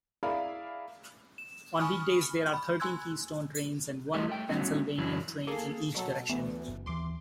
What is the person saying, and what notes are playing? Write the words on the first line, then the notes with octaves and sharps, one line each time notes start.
On weekdays there are thirteen Keystone trains and one "Pennsylvanian" train in each direction.
E4 G#4 A#4 D5 F5 B5
E7
G#5 B5 C#6 D#6 F6
B5
G#5 C6 E6 F#6 G#6
G3 A3 F4 G4 A#4 D#5
A3 G5
F#3 G3 A3 B3 C#4 A4
F#2 E3 F#3 D4 E4
A#3 G#4 A4
B2 F#3 A4
D2 E3 B3
F#1
D#2 E3 C6 D6